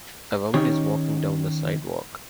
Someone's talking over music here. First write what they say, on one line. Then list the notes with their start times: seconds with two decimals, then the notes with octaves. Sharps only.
A woman is walking down the sidewalk.
0.54 D#3 C#4 D#4 G4 C#5